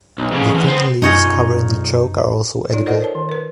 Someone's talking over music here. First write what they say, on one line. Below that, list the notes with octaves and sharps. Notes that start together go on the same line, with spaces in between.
The thin leaves covering the choke are also edible.
B1
F2 C#3
E2 D3
B3 C4
B1 F#2 D#4 F4 C#5 D#5 G#5
D#4 F4 C#5 D5
A4 A#4 C5 D5 D#5 F#5
A#4 C#5 A5
D#3
A#4 B4